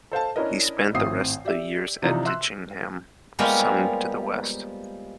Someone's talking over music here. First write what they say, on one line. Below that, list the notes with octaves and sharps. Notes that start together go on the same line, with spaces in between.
He spent the rest of the year at Ditchingham some to the west.
A4 C5 F5 A5
C#4 D4 E4 A#4 D#5
G#1 A2 C4 E5 D#6 C7
G4 D5 E5
C3 E3 F3 D4 D#4
E5 C6 E6 F#6
F3 G3 G#3 A#3 B3 F4